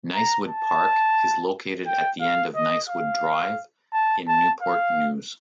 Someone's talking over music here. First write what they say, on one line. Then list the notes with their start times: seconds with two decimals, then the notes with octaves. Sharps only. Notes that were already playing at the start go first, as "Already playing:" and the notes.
Nicewood Park is located at the end of Nicewood Drive in Newport News.
0.14 A#5
0.48 A5
1.87 G5
2.21 F5
2.55 D#5
2.89 F5
3.93 A5
4.28 A5
4.62 F5